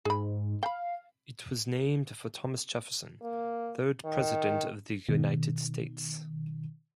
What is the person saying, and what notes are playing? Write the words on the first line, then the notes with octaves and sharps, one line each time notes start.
It was named for Thomas Jefferson, third president of the United States.
G#2 G#4 B5
F5 G5 B5
A#3
D#3
B2 D#3